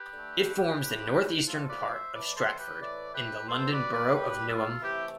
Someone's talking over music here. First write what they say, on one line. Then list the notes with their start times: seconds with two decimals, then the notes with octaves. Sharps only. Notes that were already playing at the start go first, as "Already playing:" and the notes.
It forms the northeastern part of Stratford in the London Borough of Newham.
Already playing: G4 B4
0.13 D3 A3
0.80 A2 F3 A3
1.46 A2 F3 A3 F4 A4
1.69 B4 D5
1.91 C5 E5
2.14 A2 E3 A3 B4 D5
2.26 D5
2.36 A4 C5
2.59 G4 B4
2.81 A2 E3 A3 B4 D5
3.14 G4 B4
3.48 B2 G3 A4 C5
3.70 B4 D5
3.92 B4 D5
4.15 B2 G3 G4 B4
4.48 F4 A4
4.82 C3 E3 A3 E4 G4